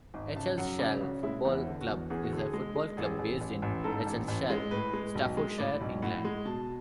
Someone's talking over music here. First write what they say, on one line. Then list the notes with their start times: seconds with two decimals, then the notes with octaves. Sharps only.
Eccleshall Football Club is a football club based in Eccleshall, Staffordshire, England.
0.14 G#1
0.36 C#3 A5
0.58 F#2 F#5
0.79 C#3 D5
1.01 C#3 F#4
1.23 G#3 E4
1.45 E2
1.52 E4
1.67 D3
1.81 F#4
1.88 E2
2.10 E2 G#4
2.23 F#4
2.33 D3 G#4
2.53 G#3
2.76 G#3
2.97 A1 G#4
3.19 A1
3.41 A1
3.62 A1
3.84 G#2 A4
4.06 A1
4.28 A1
4.50 G#3
4.71 A2 B4
4.93 G#3
5.15 B1
5.37 G#3
5.58 A2 D5
5.81 B1
6.02 A2 F#5
6.25 G#3
6.45 B2 A5